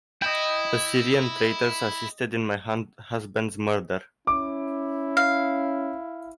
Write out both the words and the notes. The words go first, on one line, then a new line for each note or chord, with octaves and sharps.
The Syrian traitors assisted in my husband's murder.
E4 D#5 G5
C#4 E4 D6
F5